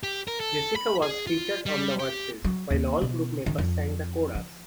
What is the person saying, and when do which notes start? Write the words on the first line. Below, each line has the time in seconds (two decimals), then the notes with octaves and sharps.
Jessica was featured on the verses while all group members sang the chorus.
0.03 G4
0.28 A#4
0.40 A4
0.76 B5
1.02 G#4
1.27 F4
1.66 G3
1.99 G4
2.44 F#3
2.71 D#2
3.02 B2
3.46 D#3
3.58 F2
4.35 F3